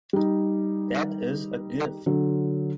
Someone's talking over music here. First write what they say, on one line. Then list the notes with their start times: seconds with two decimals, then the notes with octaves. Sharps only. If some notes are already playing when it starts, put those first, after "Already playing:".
That is a gift.
0.13 G3 D#4
2.06 D3 F#3